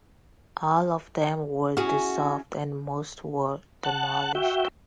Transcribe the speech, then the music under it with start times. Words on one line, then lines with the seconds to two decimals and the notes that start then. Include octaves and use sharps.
All of them were dissolved, and most were demolished.
1.77 C#4 E4 F#4 G#4
3.85 F#5 A5 F#6
4.35 F#4 E5 G5